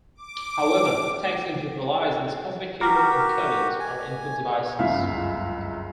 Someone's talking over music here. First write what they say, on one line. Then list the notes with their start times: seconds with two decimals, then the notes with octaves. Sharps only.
However, text input relies on specific keyboard encodings or input devices.
0.15 D6
2.81 F#4 G4 A#4
3.80 G#5
4.79 G1 C#2 F#2 E5 F5